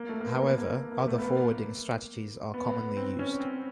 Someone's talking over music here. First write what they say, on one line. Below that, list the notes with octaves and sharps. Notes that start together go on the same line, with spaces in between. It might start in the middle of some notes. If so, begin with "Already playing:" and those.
However, other forwarding strategies are commonly used.
Already playing: A#3
A3
A#3
B3
A#3
A#3
A#3
A3
B3
A#3
B3
B3
C4
C#4
C4